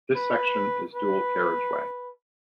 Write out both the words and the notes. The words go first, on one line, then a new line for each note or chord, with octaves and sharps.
This section is dual carriageway.
B4
B4